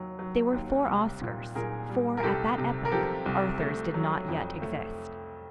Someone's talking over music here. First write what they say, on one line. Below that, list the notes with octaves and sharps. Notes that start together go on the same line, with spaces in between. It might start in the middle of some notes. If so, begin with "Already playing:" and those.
They were four Oscars; for, at that epoch, Arthurs did not yet exist.
Already playing: D#2 F#3
F#3
D#2
C2
A#2
A#2 G#4 A#4
G3
A#4
C2 G4 A4
C3
A#4
F3 G4 A4
C2
A3
F#3
F2
A3